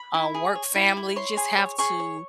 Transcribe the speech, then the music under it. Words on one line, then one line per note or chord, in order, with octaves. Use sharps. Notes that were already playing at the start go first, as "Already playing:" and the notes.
a work family, just have to
Already playing: B5
E4
G#4
C#5
E4
E4
C#5 C6
G#4
C#5
G#4 C#6
C#5